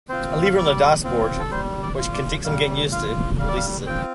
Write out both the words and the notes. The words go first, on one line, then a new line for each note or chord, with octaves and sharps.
A lever on the dashboard, which can take some getting used to, releases it.
C4 F4 C5
F5
G3 D5
C4 F4
A4
G3 C5
D5
F4
D5
G3 F5
F4 F5
G3 F5
D5
F5
C4 F4 G5